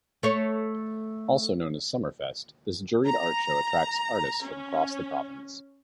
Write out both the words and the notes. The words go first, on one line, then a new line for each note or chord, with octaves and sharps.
Also known as Summerfest, this juried art show attracts artists from across the province.
A3 C#5
A#5
C#4